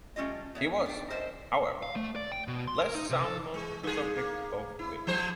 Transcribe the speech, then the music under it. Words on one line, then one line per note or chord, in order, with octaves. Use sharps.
He was, however, less sound on the subject of women.
G3 A3 C#4 F4 D#5
B3 C#5 E5
D4 G5
A#4 C5 D#5 E5 A5
F5
A3
D5
G5
B2
C6
A#4
D#4
C3
A4
G#3
G2 G#4
A#3
E4
F3 G#3 C5